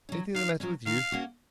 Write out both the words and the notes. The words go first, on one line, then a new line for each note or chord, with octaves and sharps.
Anything the matter with you?'
F#3 C#4
D#3 F5
F#3 C#4
D#3 F5
A#3 C#4 F#4